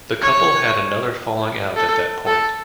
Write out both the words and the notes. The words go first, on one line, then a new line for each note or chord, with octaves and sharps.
The couple had another falling out at that point.
C#5
A4
A4